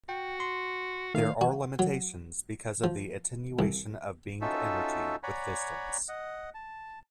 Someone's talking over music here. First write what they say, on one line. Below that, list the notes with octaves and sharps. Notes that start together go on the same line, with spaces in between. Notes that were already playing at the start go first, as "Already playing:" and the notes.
There are limitations because of the attenuation of beamed energy with distance.
F#4 G5
C6
D#3 A3 F5
F#4
F#3
F3
C2
C#4 D#4 F4 F#4 A4 E5
C#5 D5 F#5 G#5 A#5 B5
D#5 F#5
A5